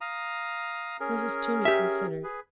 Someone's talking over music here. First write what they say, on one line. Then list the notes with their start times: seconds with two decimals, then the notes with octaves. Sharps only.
Mrs. Toomey considered.
0.01 F5 A#5 D#6
1.00 C#4 G#4 A#4
1.65 G4 E5
2.24 G#4 B4